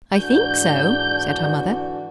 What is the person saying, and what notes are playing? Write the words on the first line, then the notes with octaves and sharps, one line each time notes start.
"I think so," said her mother.
G#2 D3 E3 D4 F#4 G6